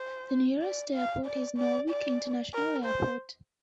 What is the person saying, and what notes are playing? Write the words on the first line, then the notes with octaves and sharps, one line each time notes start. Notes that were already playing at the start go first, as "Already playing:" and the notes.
The nearest airport is Norwich International Airport.
Already playing: C5
D5
F5
D5
D5
D5
A#4
C5